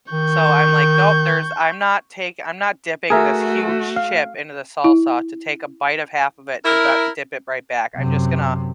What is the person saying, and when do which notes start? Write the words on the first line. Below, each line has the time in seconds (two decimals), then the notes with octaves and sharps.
So I'm like, "Nope, there's I'm not tak I'm not dipping this huge chip into the salsa to take a bite of half of it to dah dip it right back, I'm just gonna
0.12 D#3 C#6 G6
3.10 A3 F#4 G#4 A#4 E5
3.96 F5
4.84 E4
6.65 E4 A#4
7.97 F#2 C3